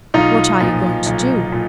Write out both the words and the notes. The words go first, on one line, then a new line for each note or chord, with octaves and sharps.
What are you going to do?
B1 D#4 F4
A#2 F3
B1
A#2